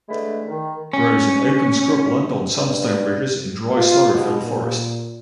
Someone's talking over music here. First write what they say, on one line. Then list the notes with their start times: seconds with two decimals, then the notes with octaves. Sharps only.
Grows in open scrubland on sandstone ridges in dry sclerophyll forest.
0.09 D3 E3 G#3 A3 B5
0.48 D#3
0.93 C#4
2.51 G2
3.77 F4
4.13 B2
4.44 A#2